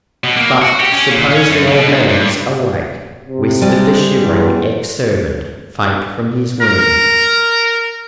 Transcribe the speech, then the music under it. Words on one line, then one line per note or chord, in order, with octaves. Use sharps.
"But, suppose the old man's awake?" whispered the shivering ex-servant, faint from his wound.
B2
A#3
F#4
G4
C#4
A#2
C#4
F#2
B2
G#2
G2
C3
G3 G#3
E2
A#4